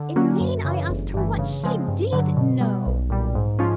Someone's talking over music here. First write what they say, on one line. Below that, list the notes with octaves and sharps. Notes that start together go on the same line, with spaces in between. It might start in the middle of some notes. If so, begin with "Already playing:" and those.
In vain I asked her what she did know.
Already playing: D3
F#3 A#3 C#4 F#4
F#2
C#3 E3
G1
G2 E3 A3
C#3
F3 G#3 C4
G2
D3 F#3
B2
G3 B3
B1
A#2 G3
G#2
F3 G#3 C#4 F4